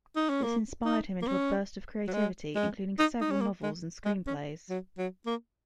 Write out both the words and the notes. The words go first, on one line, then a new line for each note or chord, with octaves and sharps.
This inspired him into a burst of creativity, including several novels and screenplays.
D#4
C#4
A#3
D#4
A#3
C#4
F#3
G#3
G#3
D#4
D#4
C#4
A#3
G#3
G#3
C#4
F#3
F#3
A#3